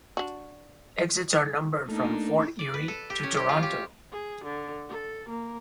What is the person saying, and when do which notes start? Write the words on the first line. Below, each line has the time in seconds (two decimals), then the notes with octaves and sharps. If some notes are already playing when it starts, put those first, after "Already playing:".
Exits are numbered from Fort Erie to Toronto.
0.17 D4 F#4
1.88 A3 A#3 D4 D#4
2.59 D5
2.74 B4
2.88 A4
3.10 G4
3.23 C#4
3.37 G4
3.49 F4
3.63 G4
4.12 G#4
4.45 D3
4.89 A4
5.29 A#3